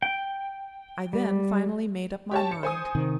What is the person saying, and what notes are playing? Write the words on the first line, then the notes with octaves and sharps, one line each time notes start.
I then finally made up my mind.
G5
G3
G4 C#5 A5
C#7
C5 G#5 D#6
C3 D#3